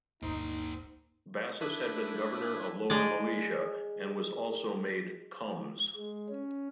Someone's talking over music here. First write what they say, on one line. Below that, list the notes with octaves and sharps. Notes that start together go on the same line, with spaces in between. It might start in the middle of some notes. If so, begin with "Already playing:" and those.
Bassus had been Governor of Lower Moesia, and was also made "comes".
D1 G1 A#3 D#4 C5
D4 E4 B4
G#3 G#4 D5
G#3
C#4